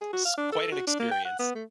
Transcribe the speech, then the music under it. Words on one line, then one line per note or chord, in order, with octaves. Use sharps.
It's quite an experience.
G#4
F#4
F5
D4
A4
F#4
D4
A#3
G5
F#5
B3
A3